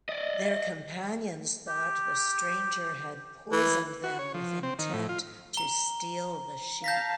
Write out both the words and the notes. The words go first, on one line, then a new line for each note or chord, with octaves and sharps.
Their companions thought the stranger had poisoned them with intent to steal the sheep.
D5 D#5
G4
E3
F#4
C#5
F3
C4
D#3
A2
F4
A#5 G7
F5 A5 G6 A#6 B6